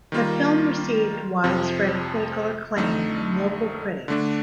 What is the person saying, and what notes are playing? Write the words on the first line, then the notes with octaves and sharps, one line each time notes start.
The film received widespread critical acclaim from local critics.
D#3 G3 A#3 F4
F2 C3 F3
F2 D3 A3 D#4
D3 A3 D4